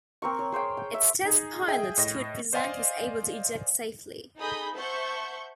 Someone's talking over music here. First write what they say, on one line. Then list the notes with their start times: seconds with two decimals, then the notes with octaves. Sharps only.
Its test pilot, Stuart Present was able to eject safely.
0.22 C4 A#4 C#6
0.39 C#5
0.52 G#4 C5 C#5 G5
0.77 G5
0.94 E5
1.25 D#4 G#4
1.68 G#4 D#5 E5 G5
1.98 A2 D#5 A#6
2.53 C5 D5 D#5 F5 G#5 C6
4.37 D#4 G#4 A4 B5 D#6 G6
4.74 C5 E5 F#5 A5 C#6 G6